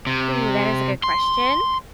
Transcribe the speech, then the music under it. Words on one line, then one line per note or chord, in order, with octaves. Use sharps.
Ooh, that is a good question.
C3
C6